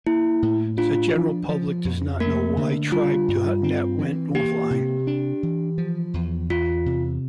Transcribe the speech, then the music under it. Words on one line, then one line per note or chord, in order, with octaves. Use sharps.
The general public does not know why tribe dot net went offline.
A#3 E4
A2
D4 F4
F3
F3
F2
A3 A#3 A#4
D3
G3 F4
G2
C4
E3
A#3 G4
C3
D4
E3
F3
E2
E2 F4
C3